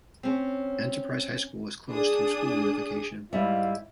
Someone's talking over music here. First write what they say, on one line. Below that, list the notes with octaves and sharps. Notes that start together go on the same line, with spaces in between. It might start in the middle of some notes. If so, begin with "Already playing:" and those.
Enterprise High School was closed through school unification.
C4 C#4
D4 G#4 D#6
G#2 G3 E4 E5 F5